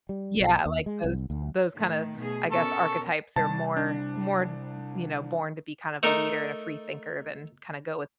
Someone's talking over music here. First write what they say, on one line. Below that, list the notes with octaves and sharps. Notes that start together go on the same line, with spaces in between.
yeah, like, those those kinda, I guess, archetypes are more more, b you know, born to be kind of a leader and a free thinker than kinda go with
G3
B1
D#2
G#3
C2
D2
A2 D#3 A3
B2 A3 G#4
B2 C#4 A4 A#4 C#6
C3 G3 A5
D4
A3 D#4 A4 A#4